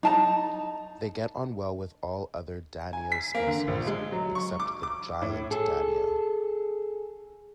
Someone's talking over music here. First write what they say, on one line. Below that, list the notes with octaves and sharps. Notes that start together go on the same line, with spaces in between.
They get on well with all other "Danio" species except the giant danio.
D#4 A5 A#5
G#5
B6
A#3
D3
A#1
G#3
F#3
C#6
D6
D6
A2
G#4 A4